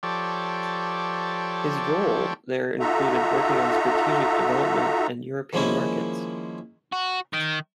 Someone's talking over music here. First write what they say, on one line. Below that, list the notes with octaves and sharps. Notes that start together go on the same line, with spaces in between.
His role there included working on strategic development and European markets.
F3 G4 A4 C#5 D5
D#4 F4 F#4 A4 E5 A#5
D#3 F3 G#3 A#3 C#4 E4
F#4
D#3